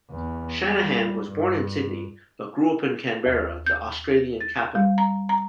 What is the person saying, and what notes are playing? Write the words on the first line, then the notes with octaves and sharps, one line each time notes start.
Shanahan was born in Sydney, but grew up in Canberra, the Australian Capital.
E2
G3
G2
D#2
G6
A6
G3
A#5
A#5